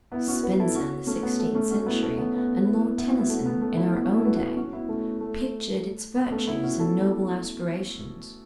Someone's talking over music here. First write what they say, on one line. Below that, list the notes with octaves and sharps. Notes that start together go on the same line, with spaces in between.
Spenser in the sixteenth century, and Lord Tennyson in our own day, pictured its virtues and noble aspirations.
B3 E4
C#4 F#4
F#4 B4
E4 A4
C#4 F#4
A3 C#4
B3
A3
A3 C#4
C#4 F#4
B3 E4
A3 C#4
B3
B3
B3 E4
B3 E4
C#4 F#4
B3 E4
A3 C#4
B3
A3 C#4
B3 E4
B3 E4
C#4 F#4
E4 A4
F#4 B4
C#4 F#4
C#4 F#4
C#4
B3 E4
A3 C#4
A3
B3
A3 C#4
B3 E4
C#4 F#4
E4 A4